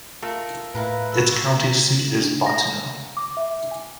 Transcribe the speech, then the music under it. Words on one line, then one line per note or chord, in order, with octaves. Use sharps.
Its county seat is Bottineau.
A3 F4 A#4
A2 E4 B4 F5 A#5
A4 C#6
B6
F#7
D4
A#6
D6
E5
G#5